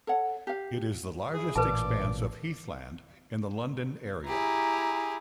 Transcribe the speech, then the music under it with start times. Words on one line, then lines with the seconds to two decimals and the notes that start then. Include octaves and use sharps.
It is the largest expanse of heathland in the London area.
0.07 A4 C#5 F#5
0.47 G4 F5
1.34 E4 G#4
1.56 A1 A#2 E3 A#4 B4 D5 A5
4.27 E4 G4 G#4 A#5